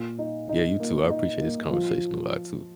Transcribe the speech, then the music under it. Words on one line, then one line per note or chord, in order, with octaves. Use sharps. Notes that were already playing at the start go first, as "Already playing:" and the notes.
Yeah, you too. I appreciate this conversation a lot, too.
Already playing: A#2
D#4
D#4
A#3
D#4
A#3
F3